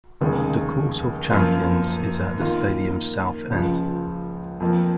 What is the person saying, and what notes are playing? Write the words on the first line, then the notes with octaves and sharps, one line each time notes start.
The Court of Champions is at the stadium's south end.
F1 D#2 C#3 G#3
F#2 F3 A#3 F4
D#3 A#3 F4
C#2 C#3 F3
F2 F3 A#3